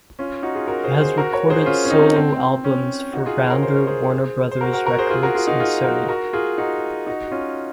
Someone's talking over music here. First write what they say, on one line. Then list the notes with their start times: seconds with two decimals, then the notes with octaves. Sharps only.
He has recorded solo albums for Rounder, Warner Brothers Records, and Sony.
0.19 C#4 F4
0.43 D#4 F#4
0.55 F4 G#4
0.68 F#4 A#4
0.84 G#4 C5
1.01 G#4 C5
1.17 F#4 A#4
1.33 A#4 C#5
1.50 G#4 C5
1.66 C#4 F4
1.85 C#4
1.90 C4 D#4
2.16 C4
2.64 C#4
3.13 D#4 F#4
3.26 F4 G#4
3.39 G#4 C5
3.50 A#4 C#5
3.63 C5
3.76 C#5
3.87 G#4 C5
4.51 C5
4.61 F#4 A#4
4.73 F#4 A#4
4.86 F#4 A#4
4.99 G#4 C5
5.10 F4 G#4
5.23 F#4 A#4
5.35 F4 G#4
5.47 D#4 F#4
5.60 F4 G#4
5.84 F#4 A#4
6.08 F#4 A#4
6.33 F4 G#4
6.58 D#4 F#4
7.07 D#4 F#4
7.28 F#4
7.31 C#4 F4